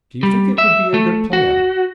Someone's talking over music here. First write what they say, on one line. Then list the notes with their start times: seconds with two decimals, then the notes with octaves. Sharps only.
"Do you think it would be a good plan?"
0.23 G3
0.58 E5
0.94 A3
1.33 F#4